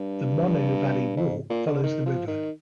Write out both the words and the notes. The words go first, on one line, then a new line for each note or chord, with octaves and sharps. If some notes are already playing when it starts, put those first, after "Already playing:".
The Monnow Valley Walk follows the river.
Already playing: G2
F2
A#2
D3
D#3
F3
D#3